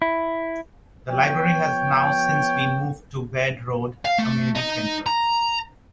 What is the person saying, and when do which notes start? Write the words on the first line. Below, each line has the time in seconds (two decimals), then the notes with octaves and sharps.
The library has now since been moved to Baird Road Community Center.
0.02 E4
1.11 F3 B3 C#5 G5
4.05 F5
4.18 A3
4.55 D#4 D#5
5.06 A#5